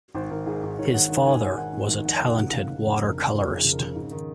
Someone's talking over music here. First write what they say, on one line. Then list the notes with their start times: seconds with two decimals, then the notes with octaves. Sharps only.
His father was a talented water-colourist.
0.15 G#1 C5
0.31 G#1 A#4
0.46 G#2 G#4
0.63 G#1
0.79 G#2 C#5
0.94 D#3 F#5
1.09 D#3 F#5
1.26 G#1 G#5
1.41 G#2 F#5
1.58 G#1 F#5
1.73 G#1
1.90 D#3
2.05 F2 F#5
2.22 F1
2.29 F#5
2.38 C#3
2.53 C#3 F5
2.69 F1
2.84 F1
3.00 F2 A#4
3.17 F1
3.32 F3
3.48 F2 G#4
3.64 C#3
3.72 A#4
3.80 C#3
3.95 G#2
4.12 D#3